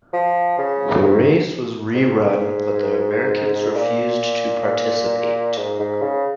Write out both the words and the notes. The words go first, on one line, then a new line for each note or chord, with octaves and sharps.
The race was re-run, but the Americans refused to participate.
F3
C#3
G#2
G#2
A#2
G#2
G#2
C#3